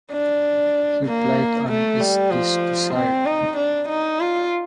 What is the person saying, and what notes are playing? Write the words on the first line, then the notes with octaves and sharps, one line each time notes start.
He played on Is This Desire?
D4
A#3
A3
G3
F3
C4
D#4
D4
D#4
F4